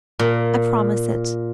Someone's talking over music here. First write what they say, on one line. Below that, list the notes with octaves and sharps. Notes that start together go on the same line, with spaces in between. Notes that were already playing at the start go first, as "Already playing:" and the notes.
"I promise it."
A#2